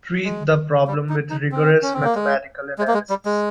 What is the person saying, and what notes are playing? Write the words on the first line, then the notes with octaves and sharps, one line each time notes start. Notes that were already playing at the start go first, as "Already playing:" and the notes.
Treat the problem with rigorous mathematical analysis.
G#3
G3
D#4
D#4
C4
C#4
C4
A#3
G#3
G#3
A#3
G#3
G3
G#3